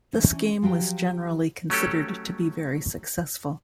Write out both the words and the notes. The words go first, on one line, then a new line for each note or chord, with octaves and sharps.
The scheme was generally considered to be very successful.
E3 C#4 D4
F3 F#3 G4 G5
F#3 A3 C#4 G4 A4